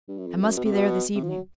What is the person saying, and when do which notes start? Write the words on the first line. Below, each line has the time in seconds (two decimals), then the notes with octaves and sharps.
"I must be there this evening."
0.08 G2
0.18 F#2
0.27 F2
0.42 F#2
0.57 B2
0.65 C3
0.73 B2
1.15 C3
1.23 F3
1.29 F#3